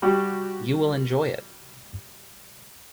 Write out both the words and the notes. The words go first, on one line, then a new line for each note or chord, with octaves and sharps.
You will enjoy it.
G3 F#4 G4